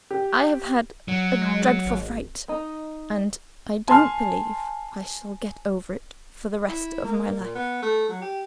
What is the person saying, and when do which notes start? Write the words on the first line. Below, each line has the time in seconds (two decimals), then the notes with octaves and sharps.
"I have had a dreadful fright; and I don't believe I shall get over it for the rest of my life."
0.11 G4
1.08 F#3
1.42 G#3
1.86 G#1
2.49 D#4
3.88 G#5 A5 C6 F6
6.68 E4
7.04 A#3
7.39 A#2
7.55 B3
7.82 A3
8.09 F#3
8.22 G4